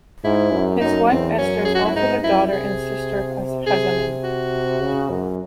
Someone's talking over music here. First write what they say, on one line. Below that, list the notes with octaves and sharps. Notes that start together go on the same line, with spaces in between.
His wife, Esther, is also the daughter and sister of hazzanim.
G#2 E4
F#2
F#2 D#4
E2 C4
F#2 C#4
G#4
F#4
E4
G#2 D#4
F#2 E4
C3 G#4
C3 G#4
F#4
C#3
F#2